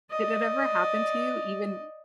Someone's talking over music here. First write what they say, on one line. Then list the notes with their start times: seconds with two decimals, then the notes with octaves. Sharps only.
did it ever happen to you, even
0.10 D5 D#5